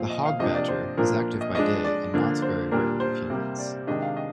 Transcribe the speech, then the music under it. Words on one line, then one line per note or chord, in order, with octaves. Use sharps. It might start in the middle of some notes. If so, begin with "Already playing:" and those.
The hog badger is active by day and not very wary of humans.
Already playing: A#2 F3 C4 F5
D#5
F5
C3 F3 A#3 D4 D#5
D5
C5
A#2 F3 A#3 D4 A#4
D#5
F3 G#3 D4 D#5
D5
D3 F3 A#3 D4
C5
A#2 G3 D4 A#4
C5
C3 G3 A#3
D5
C3 D#3 G#3 D4 D#5
F5
D#5